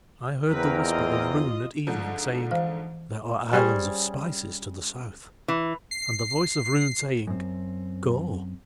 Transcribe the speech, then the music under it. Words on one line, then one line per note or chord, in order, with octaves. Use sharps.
I heard the whisper of Roon at evening, saying: "There are islands of spices to the South," and the voice of Roon saying: "Go."
E2 A#3 C4 A#4 B4
F4 D#5
G#2 D3 F3
E3 C5 F5
G3 C#4 G#4 C5
E3
C7
F#2 C4